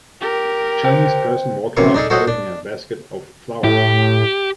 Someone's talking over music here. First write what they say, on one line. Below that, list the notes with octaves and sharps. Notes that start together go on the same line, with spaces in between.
Chinese person walking and carrying a basket of flowers.
G4 A#4
C5 G5
A1 F#2 C3 A#3 F5 C#6
D4 D#4 G#4 A4
F#4 A4 C5 C#5 D#5 F#5
D4
A2 G4